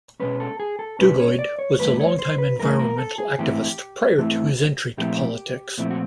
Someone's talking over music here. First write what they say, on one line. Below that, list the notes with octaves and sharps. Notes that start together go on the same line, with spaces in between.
Duguid was a long-time environmental activist prior to his entry to politics.
B2 G#3 C#4 B4
A4
G#4
A4
B2 G#3 C#4 B4
C#5
D5
C#5
G2 E3 A3 B4
C#5
C5
B4
G2 E3 A3 A#4
A#4
A4
G#4
G#2 E3 A3 C4 E4 G4
G#2 E3 A3 C4 E4
A#2 F3 A3 C4 E4 G4
A#2 F3 A3 C4 E4
F#4